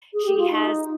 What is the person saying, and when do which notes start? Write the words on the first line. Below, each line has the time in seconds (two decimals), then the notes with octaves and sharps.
She has
0.13 G#4
0.25 G4
0.37 F4
0.50 D#4